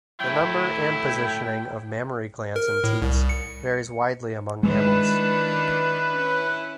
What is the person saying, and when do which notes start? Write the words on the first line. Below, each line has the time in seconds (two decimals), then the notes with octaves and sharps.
The number and positioning of mammary glands and teats varies widely among mammals.
0.21 F#3 A3 E4 G5
2.56 A#4
2.84 A2
3.02 C2
3.29 C#7
4.63 D#3 G#3 D4 E4 B4
6.17 C#4 E4